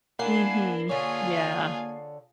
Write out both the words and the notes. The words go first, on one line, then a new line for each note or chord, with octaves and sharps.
Mhm. Yeah.
A#3 D4 E4 F#5 G#5 C7
D3 F4 G#4 C#5 G#5